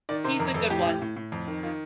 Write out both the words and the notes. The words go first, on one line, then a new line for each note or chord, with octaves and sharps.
He's a good one.
D#3 D5
C3 C5
F2 A#4
F2 A4
A2 G4
A2
A2
A2
F2
D#3
D#3 F4